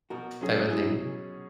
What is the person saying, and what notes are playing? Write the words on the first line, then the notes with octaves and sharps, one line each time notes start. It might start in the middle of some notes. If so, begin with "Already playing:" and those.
type of thing.
B2 F#4 A#4
F#3 C#4 G#4
B2 E4 G#4